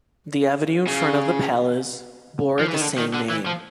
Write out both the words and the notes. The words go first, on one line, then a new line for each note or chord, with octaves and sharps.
The avenue in front of the palace bore the same name.
C#3
F3
E3
D#3
D3
D#3
D3
E3
F3